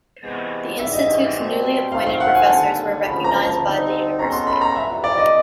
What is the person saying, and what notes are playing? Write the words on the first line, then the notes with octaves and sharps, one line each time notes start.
The Institute's newly appointed professors were recognised by the university.
C3 E3 G#3 B3
G#2 E3 G3 E5
D#5
E5
B2 G3 C4
D#3 F#3 A3 C4 F5
F5
F#5
G#5
D#2 D3 G3 A5
D2 C#3 F3 A#3 B5
A#5
A5
D2 D3 G3 C4 D#4
B2 G#3 C#4 F#4 A4 A#5
C6
B5
A#5
F2 C3 E3 G3 E5
D5
D#5